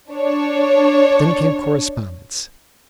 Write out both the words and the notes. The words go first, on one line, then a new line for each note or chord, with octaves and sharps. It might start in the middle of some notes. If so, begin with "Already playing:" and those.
Then came correspondence.
D4 C#5